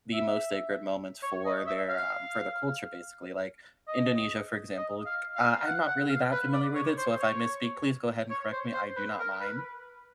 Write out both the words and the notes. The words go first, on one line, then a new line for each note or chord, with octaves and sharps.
the most sacred moments for their, um, for their culture basically. Like Indonesia, for example, uh, I'm not really that familiar with it, so if I misspeak, please go ahead and correct me, I do not mind.
E5
C#5
D#5
E5
F5
D#5
D#5
F5
F5
F5
F#5
F#5
F5
B4
D5
C#5
C5
C#5
C#5
C5
C5
B4
A#4
B4